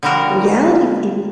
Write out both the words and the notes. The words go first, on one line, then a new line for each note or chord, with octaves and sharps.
Reality TV.
D3 F3 G3 F#4 A#4